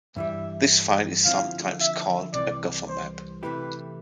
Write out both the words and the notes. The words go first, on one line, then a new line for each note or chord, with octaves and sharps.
This file is sometimes called a "gophermap".
G2 E3 G3 E5
D3 F3 C4 E4 F5
E5
C2 C3 E3 D5
C5
C3 E3 A3 E4 G4 B4